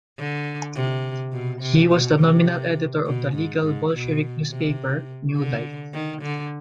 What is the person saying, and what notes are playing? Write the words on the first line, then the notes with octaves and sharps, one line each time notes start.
He was the nominal editor of the legal Bolshevik newspaper "New Life".
D3
C3
B2
C3
B2
C3
B2
G#2
G#2
B2
C3
D3
D#3
D3